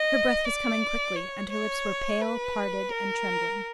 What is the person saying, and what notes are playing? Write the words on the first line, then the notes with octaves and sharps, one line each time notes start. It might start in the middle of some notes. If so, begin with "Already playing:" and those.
Her breath was coming quickly, and her lips were pale, parted, and trembling.
Already playing: D#5
D5
C#5
C#5
B4
A#4